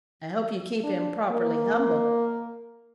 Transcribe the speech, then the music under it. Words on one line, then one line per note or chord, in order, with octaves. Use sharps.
I hope you keep him properly humble.
D4
A#3